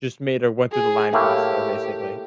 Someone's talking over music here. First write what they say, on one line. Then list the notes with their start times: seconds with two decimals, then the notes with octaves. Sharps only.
just made her went through the line faster, basically.
0.72 G#4
1.13 A2 A3 A#3 G4